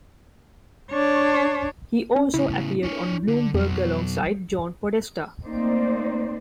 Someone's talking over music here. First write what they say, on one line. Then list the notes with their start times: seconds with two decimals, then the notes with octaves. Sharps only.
He also appeared on Bloomberg alongside John Podesta.
0.91 D4 C#5
2.16 C#4
2.34 A2 C#3 E4
2.83 D4 C#5
3.27 D3
3.54 F2 B2 F#3
5.44 A3 A#3 C4 D#4 C5 D5